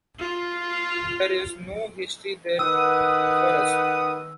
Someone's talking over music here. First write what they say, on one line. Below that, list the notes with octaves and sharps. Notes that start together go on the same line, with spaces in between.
There is no history there for us.
F4
D#3 B4 F#5 D#6 E6